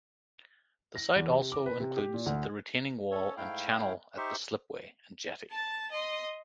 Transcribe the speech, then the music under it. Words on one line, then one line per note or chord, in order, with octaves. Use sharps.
The site also includes the retaining wall and channel at the slipway and jetty.
A#6
E2
C3
D6
B4
C3
G4
A#2
D2
C#4 A4 C#5
G#2 A3 E4 F5 G5
D#4 G4 C5 E5 C6 C#6
A5 A6
D#5 C6